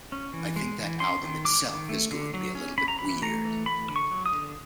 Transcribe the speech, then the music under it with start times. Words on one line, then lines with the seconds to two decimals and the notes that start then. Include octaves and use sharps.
I think that album itself is going to be a little bit weird.
0.12 C#4
0.33 E3
0.56 G#3
0.78 E3
1.00 C#4 C6
1.22 D#3
1.45 G#3 D6
1.67 D#3
1.89 A3
2.11 D3
2.34 F#3
2.55 C#4
2.78 C#4 B5
2.88 A#5
2.99 E3 B5
3.22 A3 A#5
3.45 E3
3.66 A3 B5
3.89 D3
3.96 C#6
4.11 F#3
4.26 D#6
4.33 D3